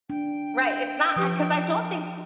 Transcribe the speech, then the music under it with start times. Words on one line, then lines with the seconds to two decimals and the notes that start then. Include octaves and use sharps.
Right, it's not I 'cause I don't think
0.10 D4 G5
1.16 F3 G4 B4 D#6